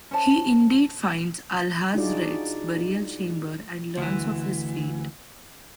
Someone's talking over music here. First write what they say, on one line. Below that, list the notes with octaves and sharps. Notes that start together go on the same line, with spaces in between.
He indeed finds Alhazred's burial chamber and learns of his fate.
C#4 C5 A5
D4 D#4 F4 F#4 G#4 D5
D2 E3